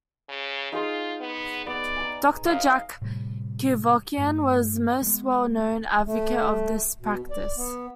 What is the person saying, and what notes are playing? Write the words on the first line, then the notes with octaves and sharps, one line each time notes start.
Doctor Jack Kevorkian was the most well-known advocate of this practice.
C#3
D#4 F4 G#4 C5
B3
B3 D5
G#5 A#5
F#2 D#5 F5 D#6
A2 C3 G3
G2 A3
G#3 B3
A3
B2
D5
B3